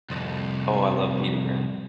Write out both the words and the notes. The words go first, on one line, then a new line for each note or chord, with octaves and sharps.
Oh, I love pita bread.
C2 F2